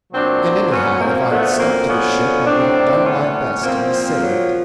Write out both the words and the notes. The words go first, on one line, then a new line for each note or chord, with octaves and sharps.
And, anyhow, if I had stuck to the ship I would have done my best to be saved.
A#2 F#3 C4 D4
B3 C#4
A#3 C4
F#2 D3 F3 A3 B3
A#3 C4
B3 C#4
A2 F#3 C4 D4
B3 C#4
A#2 F3 A#3 C4
F#3